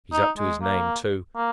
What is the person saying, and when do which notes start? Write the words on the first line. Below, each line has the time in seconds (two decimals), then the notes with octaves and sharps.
He's up to his name too.
0.12 D#4
0.38 G#3
0.62 A#3
1.36 A#3